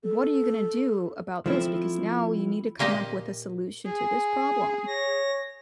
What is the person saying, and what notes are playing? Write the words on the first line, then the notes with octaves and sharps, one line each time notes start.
what are you gonna do about this, because now you need to come up with a solution to this problem."
A4
F3 A3 C4 E4
A#2 A#3 G4 D#5
G#4
C#5 A#6